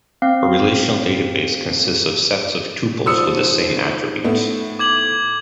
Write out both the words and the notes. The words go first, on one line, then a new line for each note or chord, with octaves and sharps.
A relational database consists of sets of tuples with the same attributes.
C4 F5
G#2 F3 D#6 E6 C#7
A2 B3 E4
D6 G#6 F#7